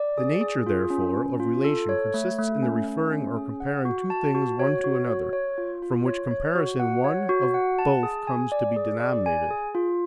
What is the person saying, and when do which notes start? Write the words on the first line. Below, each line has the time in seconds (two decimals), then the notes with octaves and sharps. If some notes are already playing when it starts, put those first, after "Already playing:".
The nature therefore of relation consists in the referring or comparing two things one to another; from which comparison one of both comes to be denominated.
Already playing: D5
0.18 G#4
0.41 G#4
0.67 F4
0.90 C#4
1.15 C#4
1.40 F4
1.64 A4
1.89 C#5
2.14 A3
2.38 A3
2.62 C#4
2.87 A3
3.11 C#4
3.37 G#4
3.60 F#5
3.85 F#4
4.10 A5
4.35 F#4
4.59 C#5
4.84 F#4
5.07 C#5
5.33 C#5
5.58 F4
5.82 F4
6.06 C#5
6.31 C#5
6.55 F#4
6.80 F#5
7.04 C#5
7.29 F#4
7.54 F#5
7.79 A5
8.03 G#4
8.27 G#5
8.52 D5
8.76 G#4
9.00 D5
9.26 G#5
9.51 G#4
9.75 F4